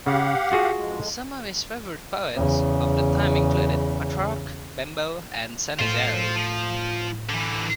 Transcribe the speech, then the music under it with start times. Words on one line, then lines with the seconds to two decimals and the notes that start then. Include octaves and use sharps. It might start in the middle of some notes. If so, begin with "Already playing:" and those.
Some of his favorite poets of the time included Petrarch, Bembo, and Sannazaro.
0.06 C#3 G4 F5 F#5
0.52 F4 F#4 G#4
0.78 F2 G#3
2.35 E2 C#3
5.79 A2 F4 C5
6.36 F3
7.30 D3 E3